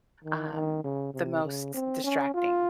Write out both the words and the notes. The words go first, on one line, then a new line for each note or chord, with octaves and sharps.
um, the most distracting.
D#3
D#3
C#3
C3
C#3
C4
C#4
F4